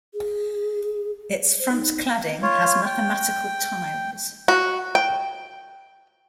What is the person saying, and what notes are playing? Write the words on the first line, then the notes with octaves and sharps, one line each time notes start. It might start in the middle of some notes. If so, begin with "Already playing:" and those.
Its front cladding has mathematical tiles.
G#4
C5
D#4
F4 C#5
G5
F#4
G5